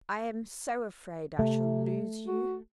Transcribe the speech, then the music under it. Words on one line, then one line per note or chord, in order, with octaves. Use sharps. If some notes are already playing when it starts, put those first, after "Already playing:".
I am so afraid I shall lose you.
C3 A3
F#4